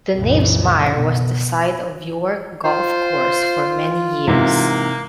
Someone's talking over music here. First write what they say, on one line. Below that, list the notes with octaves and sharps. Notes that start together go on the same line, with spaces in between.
The Knavesmire was the site of York Golf course for many years.
C2 F#2 A#2 C#3 E3
B2
F4 C5
G#2 C3 E3 A#3